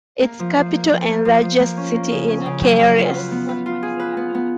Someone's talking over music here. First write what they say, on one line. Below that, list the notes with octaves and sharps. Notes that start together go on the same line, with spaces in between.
Its capital and largest city is Kielce.
A#3
F3
F3
A#3
F3
A#3
F3
F3
A#3
C#4
A#3
C#3
C#4
C#3
F#3
F#3
F4
B4
B3
B4
F4
G#4
B4
B3
B3